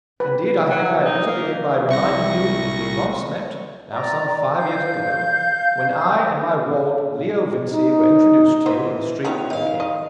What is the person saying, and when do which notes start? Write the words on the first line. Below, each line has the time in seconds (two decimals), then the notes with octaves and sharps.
Indeed, I think I had better begin by reminding you that we once met, now some five years ago, when I and my ward Leo Vincey were introduced to you in the street at Cambridge.
0.20 B4
0.70 F#3
1.04 D#4
1.27 A#3
1.89 C2 E5 C#6 A#6
3.92 D5 A#5
4.57 F5 G6
7.72 D#4
8.66 E3 A#3 B3 C5
9.25 D2 B3 D#4 F4 G4 C#5
9.50 D#3 F5
9.80 D#5